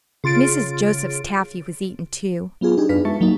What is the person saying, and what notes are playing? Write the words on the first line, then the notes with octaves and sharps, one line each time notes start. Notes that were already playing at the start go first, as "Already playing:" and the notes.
Mrs. Joseph's taffy was eaten too.
C#3 F4 A6 D7
F#3 B3 F4 G#4
D4 D#4 G4 G#4
F#2 D4 B4 F5 B6
G#3 E5 A5 C#6 A6 C#7
F#3 A#3 D#4